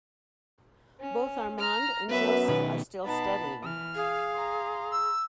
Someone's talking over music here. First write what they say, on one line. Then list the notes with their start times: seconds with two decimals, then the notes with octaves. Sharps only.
Both Armand and Josie are still studying.
1.00 C#4
1.59 A#5 F6
2.09 F#2 B3 B4 E5
2.48 B2 D#3 B4
3.04 B2 B3 D#4 A5 B5
3.62 E3 F6
3.95 G#4 F5
4.33 A#5 C6
4.92 E6